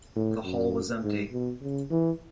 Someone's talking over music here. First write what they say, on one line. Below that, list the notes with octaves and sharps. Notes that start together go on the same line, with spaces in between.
The hall was empty.
A2
F#2
G#2
B2
C#3
E3